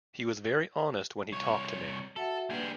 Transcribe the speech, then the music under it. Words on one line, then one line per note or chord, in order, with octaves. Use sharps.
He was very honest when he talked to me.
C2 C#5
F#4 A4 E5 F#5
G3 A#3 D4 G#4 B4